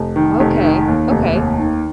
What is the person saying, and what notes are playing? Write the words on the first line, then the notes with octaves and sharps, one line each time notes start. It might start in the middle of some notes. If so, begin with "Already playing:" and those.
Okay, okay.
Already playing: F1
D#3
F1
D#3
D#2
F1
D#2
D#3